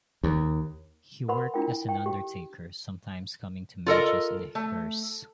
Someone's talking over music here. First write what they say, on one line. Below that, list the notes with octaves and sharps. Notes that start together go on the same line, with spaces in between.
He worked as an undertaker, sometimes coming to matches in a hearse.
D#2
A#4 B4 F#5 B5 C6
D4 E4 F4 A#4 G5
G5
G4 G5
F4 A4 A#4 D#5
A3